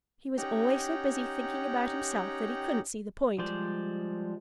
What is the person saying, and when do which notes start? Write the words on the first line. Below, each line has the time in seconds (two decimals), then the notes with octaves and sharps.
He was always so busy thinking about himself that he couldn't see the point.
0.37 C#4 D#4 G4 F#5 G5 A#5
3.38 F3 G3 G#3 C5 D5